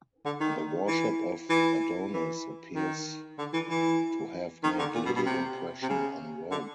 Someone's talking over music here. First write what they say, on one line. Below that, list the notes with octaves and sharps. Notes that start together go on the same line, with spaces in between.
The worship of Adonis appears to have made little impression on Rome.
D3
D#3
E3
E3
E3
D#3
D3
E3
E3
D#3
D3
A#2
B2
B2
C3
C3
C#3
D3